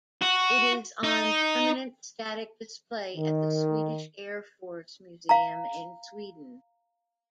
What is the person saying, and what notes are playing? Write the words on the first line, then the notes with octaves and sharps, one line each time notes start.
It is on permanent static display at the Swedish Air Force Museum in Sweden.
F#4
D#4
D#3
F5 A#5